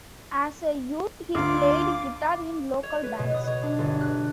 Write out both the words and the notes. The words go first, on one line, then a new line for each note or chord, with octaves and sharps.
As a youth, he played guitar in local bands.
D2 F4 F5 D6
C#5
B4
B2
D#6
C#5
D4
G1
F#6